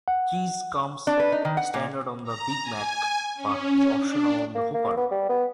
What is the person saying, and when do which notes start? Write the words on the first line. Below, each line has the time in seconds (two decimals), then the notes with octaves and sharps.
Cheese comes standard on the Big Mac, but is optional on the Whopper.
0.08 F#5
1.07 D4
1.20 B4
1.32 D#4
1.45 D#3
1.57 F#5
1.74 A#2
2.23 A#5
2.61 G#5
3.35 C#4
3.97 D4
4.55 A#3
4.74 A#3
4.97 B3
5.11 G3
5.29 B3